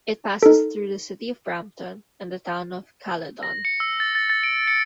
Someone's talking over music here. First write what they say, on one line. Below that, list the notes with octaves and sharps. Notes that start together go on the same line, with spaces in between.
It passes through the City of Brampton and the Town of Caledon.
D#4 A4
A#6
C#7
E6
A6
A6
A6
D7
C#7